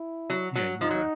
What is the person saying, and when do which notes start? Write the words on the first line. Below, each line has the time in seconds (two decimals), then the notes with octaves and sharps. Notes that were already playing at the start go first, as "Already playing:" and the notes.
Yeah, yeah.
Already playing: E4
0.30 F#3
0.56 F#3
0.81 F3 D#4
0.90 F#3